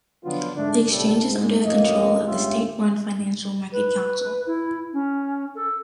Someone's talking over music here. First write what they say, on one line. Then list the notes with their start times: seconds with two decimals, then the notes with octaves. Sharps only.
The exchange is under the control of the state-run Financial Market Council.
0.24 D3 F3 F#3 B3 D4 F4
0.55 G#2 D3 G#3 A3 D4
0.90 C2 A2 G3 A4
1.28 G#2
1.65 A1 F2 A2 A#3 D#5
2.26 G1 G#3 C#4 F4 G4 E5
3.72 B4
4.46 E4
4.93 C#4
5.55 A4